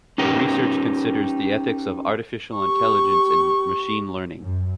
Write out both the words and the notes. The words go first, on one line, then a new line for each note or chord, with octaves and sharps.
Her research considers the ethics of artificial intelligence and machine learning.
C#4 D#4 G4 A#4 B4
G4 C#6
F#2